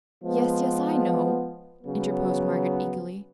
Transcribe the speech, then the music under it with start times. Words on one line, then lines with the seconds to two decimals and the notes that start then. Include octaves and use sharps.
"Yes, yes, I know," interposed Margaret, eagerly.
0.24 F3 G#3 B3
1.83 C#3 F#3 B3